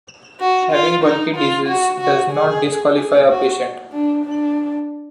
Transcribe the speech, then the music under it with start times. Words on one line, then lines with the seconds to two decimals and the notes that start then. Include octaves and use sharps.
Having bulky disease does not disqualify a patient.
0.40 F#4
0.72 F4
1.04 D#4
1.36 F4
1.68 F#4
2.00 F#4
2.32 G#4
2.97 G#4
3.29 F#4
3.93 D4
4.24 D4